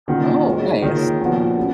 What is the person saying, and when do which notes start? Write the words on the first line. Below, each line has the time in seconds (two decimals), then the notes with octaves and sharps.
Oh, nice.
0.08 A#2 D#3 F#3 C#4 F4
0.45 G#3 D#4 F#4 C#5
0.82 D#3 A#3 F4 G#4 C#5
1.20 A#2 F3 B3 F#4
1.57 F#3 C#4